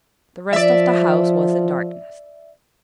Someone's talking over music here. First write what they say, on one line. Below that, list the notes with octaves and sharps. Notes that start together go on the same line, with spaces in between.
The rest of the house was in darkness.
F3 D5 E5